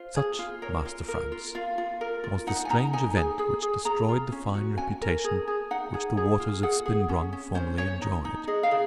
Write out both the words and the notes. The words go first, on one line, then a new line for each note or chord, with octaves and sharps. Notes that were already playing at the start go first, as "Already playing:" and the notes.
Such, Master Frantz, was the strange event which destroyed the fine reputation which the waters of Spinbronn formerly enjoyed.
Already playing: F4 C5
G#4
F4
A#4 C#5
F4
A#4
F4
F4 F5
F4
A#4
F4
D#4 F#5
G#5
D#4 A#5
D#4 G#5
G#4 G#5
G#4
G#4
G#4 A#5
F4
C#4
F#4
C#4 G#5
A#4
G#4
G#4
D#4 F#5
G#4
G#4
F4
G#4 F#5
G#4
C#4
C#4
C#4 C5
C#4 C#5
D#4
D#4
G#4 D#5
F5
G#4